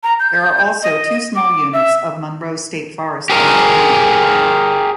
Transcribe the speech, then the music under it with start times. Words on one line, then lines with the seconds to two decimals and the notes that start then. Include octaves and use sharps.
There are also two small units of Monroe State Forest in town.
0.03 A#5
0.19 G6
0.83 D#5
1.35 D6
1.73 E5
3.30 G4 G#4 A#4